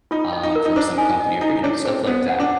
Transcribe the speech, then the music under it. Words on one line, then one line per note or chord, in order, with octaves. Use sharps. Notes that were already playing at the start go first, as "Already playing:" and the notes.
um, from some company or, y you know, stuff like that.
D#4 F4
D#5
D#4
A#4
D#4
D4 C5
D#4 G#5
D#5
D#4 E4
D4 C#5
C4 G#4
B3 C5
F#5
D4